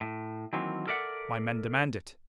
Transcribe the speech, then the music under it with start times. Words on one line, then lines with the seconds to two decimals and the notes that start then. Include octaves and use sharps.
My men demand it.
0.01 A2
0.53 D#3 E3 F#3 A#3 C4
0.87 A4 A#4 D5 E5 F#5